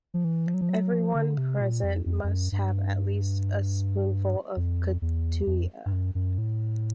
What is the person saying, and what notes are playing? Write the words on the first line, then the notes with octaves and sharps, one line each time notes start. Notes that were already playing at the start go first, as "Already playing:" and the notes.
Everyone present must have at least a spoonful of kutia.
F3
E3
F3
F#3
F3
F#3
F3
D3
C3
A#2
F2
F2
F2
F#2
G2
F2
E2
F2
G2
F#2
F#2
A2